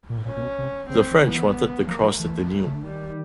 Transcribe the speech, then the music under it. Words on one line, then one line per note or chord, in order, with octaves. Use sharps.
The French wanted to cross the Danube.
A#2
A2
A#2 C#4
A#2
B2
C3
C#3 C4
D#3
E3 B3
F3 A#3
F3
E3 A3
C#3
D3
D#3 G3